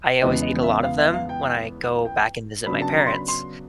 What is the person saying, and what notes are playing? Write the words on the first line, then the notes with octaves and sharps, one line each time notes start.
I always eat a lot of them when I go back and visit my parents,
E2 C#3 E3 G#3 B3 D#5
D#5
E5
F5
E5
F5
G5
G5
C#3 F#3 B3 D4 B5
A5
A#5
C6
B5
C6